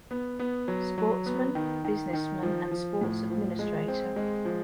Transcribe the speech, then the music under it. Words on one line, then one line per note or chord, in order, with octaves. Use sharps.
Sportsman, businessman and sports administrator.
B3
B3
F#3
F#3
B3
D#3
D#3
D#3
F3
F3
A2
F3
G#3
C4
G#3
F3